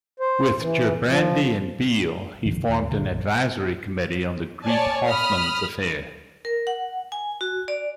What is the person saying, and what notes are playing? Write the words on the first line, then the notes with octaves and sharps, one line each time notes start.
With Gerbrandy and Beel, he formed an advisory committee on the Greet Hofmans affair.
C5
E3
F3
G1 C2 D#3 F3
D#2
A#1 D3
A#1 F2
C#5 D5 G#5 A5
B5 D#6 F6
A#4
F#5
G#5
F#4
D5